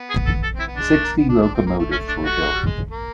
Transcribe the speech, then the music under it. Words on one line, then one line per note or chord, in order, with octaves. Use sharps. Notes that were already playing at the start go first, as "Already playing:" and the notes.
Sixty locomotives were built.
Already playing: B3
G#4
A4
A4
C4 E4
B3
G#3 D4
A3
A#3
B3
D4
D4
C4
A#3
A3
A3 C#4
D4
F#4
G#3
G3
G#3
A#3